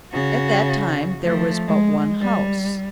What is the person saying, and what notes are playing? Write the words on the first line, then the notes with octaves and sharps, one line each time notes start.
At that time there was but one house.
C#3 F#4
F3 A3
G#3
G3